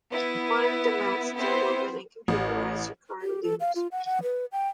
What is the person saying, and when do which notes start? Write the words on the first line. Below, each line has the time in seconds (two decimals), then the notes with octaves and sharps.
Modern damasks are woven on computerized Jacquard looms.
0.11 B3 E4
1.35 B3 C4 E4 C5
2.28 A1
3.21 G4
3.43 A4
3.60 F5
3.75 F4
3.92 F#5
4.05 F#5
4.23 B4
4.52 G5